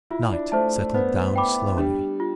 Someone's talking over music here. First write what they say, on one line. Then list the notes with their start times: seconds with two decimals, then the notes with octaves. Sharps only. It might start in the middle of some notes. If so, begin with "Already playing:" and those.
Night settled down slowly.
0.10 E4 F4
0.32 D4
0.52 A3 C5 E5 A5
0.94 B3 C5
1.36 G5 B5 D6
1.78 G3 D4
2.20 F4